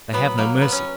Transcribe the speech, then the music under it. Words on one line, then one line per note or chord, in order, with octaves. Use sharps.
They have no mercy.
F#3 B3
F#3 A#3
F#3 B3
C#4